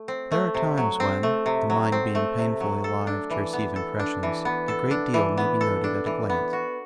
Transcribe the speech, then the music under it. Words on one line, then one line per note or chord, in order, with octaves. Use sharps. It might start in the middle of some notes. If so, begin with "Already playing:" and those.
There are times when, the mind being painfully alive to receive impressions, a great deal may be noted at a glance.
Already playing: A3
C4
A3
C3
F#3
C4
A3
C3
F#3
C4
A3
C3
F#3
A4
D4
E3
B3
A4
D4
E3
B3
A4
D4
E3
B3
A4
D4
E3
B3
F#4